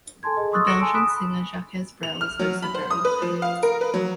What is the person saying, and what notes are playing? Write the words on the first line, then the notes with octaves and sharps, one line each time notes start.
The Belgian singer Jacques Brel is also buried there.
A4 G#5 A5 C6 G#6
G#4 D#5
C6 C#6 D#6 E6 F#6 A6
A4 C#6 A#6 C#7 D7 E7
G#5 A5 C6 E6 D7
B5 D#6 F#6 B6 D7 E7
F7
F6
F#3
B5
C5
D#6
B4
F3
F5
A#4
B4
F#3